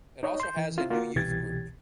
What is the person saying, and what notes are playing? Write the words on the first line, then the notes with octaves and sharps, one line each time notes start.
It also has a new Youth Group.
D#4 C#5 D#5
C6 G6
E3
C4 E4 F4
A#3 F4 F#4
C2 B2 E3 G4 G#6 A6